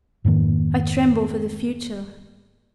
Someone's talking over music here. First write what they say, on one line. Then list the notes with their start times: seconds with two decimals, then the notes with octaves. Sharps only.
I tremble for the future.
0.24 F2 G#2 D#3 A#3